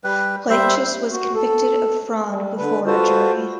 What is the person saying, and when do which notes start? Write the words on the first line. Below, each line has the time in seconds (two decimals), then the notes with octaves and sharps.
Lifchus was convicted of fraud before a jury.
0.04 G3 B4
0.50 G3 C5 E5
1.11 F#4
1.34 A4
2.28 G3
2.58 D3 B4
2.86 F4 F#4 A4 B4 C5